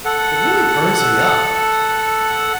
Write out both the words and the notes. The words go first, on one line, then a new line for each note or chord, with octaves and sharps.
it really burns me up,
A4 F#5